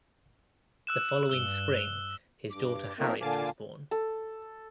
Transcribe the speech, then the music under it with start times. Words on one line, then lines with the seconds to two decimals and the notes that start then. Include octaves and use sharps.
The following spring his daughter Harriet was born.
0.87 E6 F#6 E7
1.29 G2 E6 G7
2.51 G2 D6
2.99 F3 A3 A#3 C4 D#4 A#4
3.21 A#2 D3 F5 G#5 A5 D6
3.91 A4